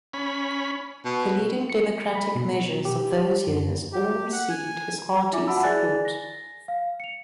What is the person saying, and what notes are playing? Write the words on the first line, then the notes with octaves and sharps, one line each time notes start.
The leading Democratic measures of those years all received his hearty support.
C#4 B5
B2
C#7
B5
B2
G4
F#2
G4
F#5
G#5
E4 F4 E5 G#5 D6
F#4 E5 F#5 A5 B5 E6
E4 G#4 D5 G#5 F#6 A6
A#6
F5
C#7 F7